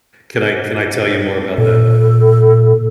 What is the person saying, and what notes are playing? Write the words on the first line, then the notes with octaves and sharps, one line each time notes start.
Can I can I tell you more about that?
A#2 A4